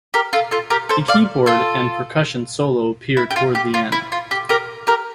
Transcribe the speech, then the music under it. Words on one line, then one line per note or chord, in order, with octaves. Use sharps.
A keyboard and percussion solo appear toward the end.
G4 A#4
F4 A4
F4 A4
G4 A#4
A4 C5
D5 F5
F4 A4
E4
G4
F4
G4
F4
E4
F4
G4
G4 A#4
G4 A#4